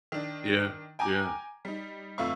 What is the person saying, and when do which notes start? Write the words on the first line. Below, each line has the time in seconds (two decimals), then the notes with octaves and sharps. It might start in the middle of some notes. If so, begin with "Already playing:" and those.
Yeah, yeah.
0.12 D#3 D4
0.99 G5 G#5 A#5 D6
1.65 G3 D#4
2.18 G1 F2 A3 E5 F5 C#6